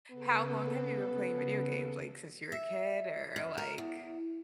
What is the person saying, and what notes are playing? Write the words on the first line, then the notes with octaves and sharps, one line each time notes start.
How long have you been playing video games? Like, since you were a kid, or like,
C#3 B3 A4
E5
F#2
A#4
E2